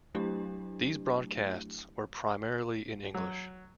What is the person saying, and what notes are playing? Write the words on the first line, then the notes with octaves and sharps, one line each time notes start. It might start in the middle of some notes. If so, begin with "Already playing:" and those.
These broadcasts were primarily in English.
F#3 A3 D4 E4 G4
F#3